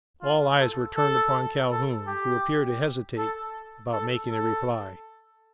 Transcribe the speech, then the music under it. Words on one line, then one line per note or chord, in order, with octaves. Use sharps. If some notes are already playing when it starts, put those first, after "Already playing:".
All eyes were turned upon Calhoun, who appeared to hesitate about making a reply.
F4
A4
A4
A4
G4
A4
A4
A4